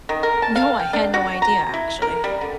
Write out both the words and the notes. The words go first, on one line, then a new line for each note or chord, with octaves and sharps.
No, I had no idea, actually.
D#3
A#4
A5
F5
G5
D4
F#4
A#5
E4
A#4
G3
D3